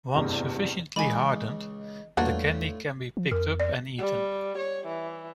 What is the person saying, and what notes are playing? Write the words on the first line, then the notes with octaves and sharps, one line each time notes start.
Once sufficiently hardened, the candy can be picked up and eaten.
F#1 E2 G2 C3
C#2 C#3 E3 D#5 G#5 B5
E2 A2 G3 A#3 D4 F4 F#4 B4
F3
F2 A#4
D5
G3
C#5
E3